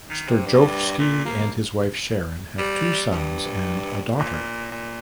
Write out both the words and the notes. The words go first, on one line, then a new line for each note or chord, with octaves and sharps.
Sterjovski and his wife Sharon have two sons and a daughter.
D#3
C3
G2
A#2
A#3
G3
G2
A#2
A#2